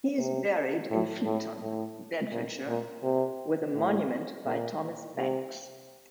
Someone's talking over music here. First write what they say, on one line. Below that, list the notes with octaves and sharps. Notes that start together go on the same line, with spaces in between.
He is buried in Flitton, Bedfordshire with a monument by Thomas Banks.
C3
A2
A2
A2
A#2
A#2
C3
A2
A#2
C3